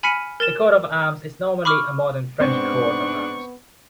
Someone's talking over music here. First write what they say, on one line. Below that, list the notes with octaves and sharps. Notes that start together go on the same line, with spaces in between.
The coat of arms is normally a modern French coat of arms.
G#5 B5 F6 B6 C#7 D#7
A#4 A6 E7 G7
B5 C#6 D6 F6
G#2 B3 C4 D4 C#6